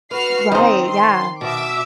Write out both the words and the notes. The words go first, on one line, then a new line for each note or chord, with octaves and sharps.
Right, yeah.
F#4 B4 F6 C7
D#3 C4 C5 D#5
C6
B2 E5 D6 E6